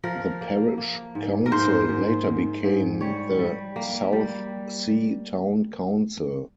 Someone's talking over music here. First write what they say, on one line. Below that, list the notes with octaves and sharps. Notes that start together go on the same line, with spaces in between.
The Parish Council later became the Southsea Town Council.
F3 A#4
A#3
A#3
G#2
A#4
G#2 C5
G#2
G#2
G#2
G3 C#5
G3
A#3
G3